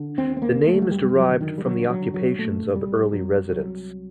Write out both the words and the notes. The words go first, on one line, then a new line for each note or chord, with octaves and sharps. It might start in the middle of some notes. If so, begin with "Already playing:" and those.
The name is derived from the occupations of early residents.
Already playing: D3
D#2 C4
C4
A#3
D3
A3
F#3
F#2 G3
F#3
D3
D#3
G3
D3 F#3
F#3
D3
F#3
A#2 A3
C2 G3
C2 F#3
C2 F#3